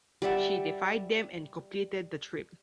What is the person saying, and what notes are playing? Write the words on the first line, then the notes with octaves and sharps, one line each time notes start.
She defied them and completed the trip.
G3 D5 E5 F#5